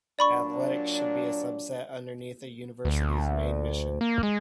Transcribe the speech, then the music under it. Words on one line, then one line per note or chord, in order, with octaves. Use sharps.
Athletics should be a subset underneath a university's main mission...
A#2 F#3 D4 D5 B5 C#6
D2
A#3
G#3